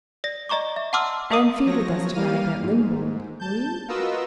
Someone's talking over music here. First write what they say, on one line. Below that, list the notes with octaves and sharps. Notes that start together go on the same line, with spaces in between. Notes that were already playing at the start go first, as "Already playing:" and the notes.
And feed with us to-night at Limpold, will you?
D5 A#6
D5 D#5 A#5 C#6 D6
E5
F#5 A5 C6 D6 E6 F6
A#4 D#5 D6 D#6 D#7
F3 F#3 C#5 A#6
G3 A#3 F5 F6 D#7
G#2
A5 G6
F4 F#4 A#4 B4 D#5 E6